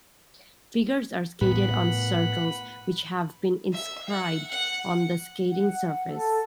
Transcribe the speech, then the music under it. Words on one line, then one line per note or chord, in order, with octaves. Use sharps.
Figures are skated on circles, which have been inscribed on the skating surface.
A2 B3 B4 F#5 B5
E5
F#5
F#5
F#5
A4